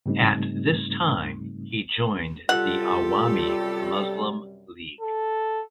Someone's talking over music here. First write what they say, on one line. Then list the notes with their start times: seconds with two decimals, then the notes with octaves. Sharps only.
At this time he joined the Awami Muslim League.
0.06 G#2 C#3 G3 A3 C4 D#4
2.49 F#2 C3 G3 F4 G4 A4 F#5
5.01 A4